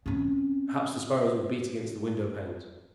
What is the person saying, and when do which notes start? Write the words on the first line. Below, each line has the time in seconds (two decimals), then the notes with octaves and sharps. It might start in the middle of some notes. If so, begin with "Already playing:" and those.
Perhaps the sparrows will beat against the windowpanes!
0.06 C4 C#4